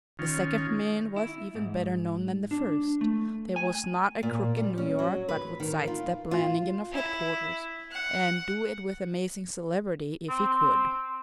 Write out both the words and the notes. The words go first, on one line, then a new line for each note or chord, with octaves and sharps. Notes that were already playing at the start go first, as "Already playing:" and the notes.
The second man was even better known than the first; there was not a crook in New York but would side-step Lannigan of headquarters, and do it with amazing celerity--if he could!
D#3 C#4 F4
E4
G#2
D4
A3
G#5
A#2
G3
C#4
F#3
B4
D#3
F4
F4
E4
F#5
C4